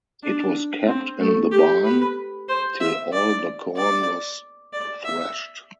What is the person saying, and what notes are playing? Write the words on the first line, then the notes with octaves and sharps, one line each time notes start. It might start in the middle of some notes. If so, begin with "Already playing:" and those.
It was kept in the barn till all the corn was threshed.
D4
C4
A3
G4
B4
C5
E5
D5
D5
D5
E5